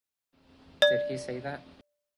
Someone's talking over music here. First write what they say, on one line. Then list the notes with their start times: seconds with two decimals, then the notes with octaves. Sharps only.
Did he say that?
0.82 D5